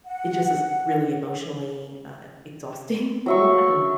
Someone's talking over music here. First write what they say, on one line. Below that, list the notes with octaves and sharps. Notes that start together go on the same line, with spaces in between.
It just is really emotionally, uh, exhausting a lot, and,
F#5
F#3 E5 C#6